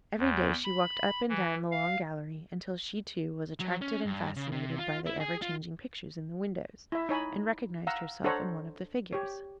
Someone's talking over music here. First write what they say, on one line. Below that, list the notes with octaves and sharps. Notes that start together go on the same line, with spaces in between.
Every day she walked up and down the long gallery, until she too was attracted and fascinated by the ever-changing pictures in the windows, and recognised herself in one of the figures.
E2
B5
E3
F5
F#3
C#4
G2
C#3
C3
F4
E4
G#4
F4
E4 E5
D#4 C#5 G#5 B5
F5 F#5 A#5 E6
D4 A4 C5 C#5 F#5 A#5
G4 C#5